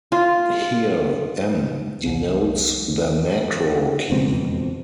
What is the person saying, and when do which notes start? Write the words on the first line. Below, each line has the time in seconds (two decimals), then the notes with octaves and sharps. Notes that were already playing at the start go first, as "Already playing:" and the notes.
Here, "m" denotes the "Macro" key.
0.12 F4
2.06 C2
4.11 E1 F2 B2 C4